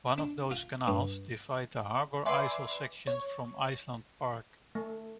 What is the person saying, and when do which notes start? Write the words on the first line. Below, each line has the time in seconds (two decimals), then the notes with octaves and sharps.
One of those canals divides the Harbor Isle section from Island Park.
0.18 D4
0.51 F4
0.88 G2
2.26 B4 D5 E5 G#5 C6 D6
3.07 C#5
4.75 A3